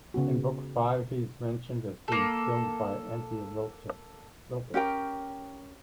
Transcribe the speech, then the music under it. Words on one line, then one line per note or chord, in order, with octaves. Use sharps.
In Book Five, he is mentioned as being killed by Antilochus.
C#3 B3 F#4
A#3 A4
C#4 G4 A#4 G5